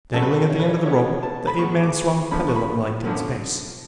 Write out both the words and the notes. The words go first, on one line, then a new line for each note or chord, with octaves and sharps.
Dangling at the end of the rope the ape-man swung pendulum-like in space.
F2 C#3 F#3 C#4 A4
B4
A4
C#5
B4
C#5
A2 G#3 B3 C#5
A5
B5
A2 G#3 B3 C#6
D6
C#6
F#2 D3 F3 B3 D4 B5
C#6
B5
C#6
F#2 D3 F3 B3 D4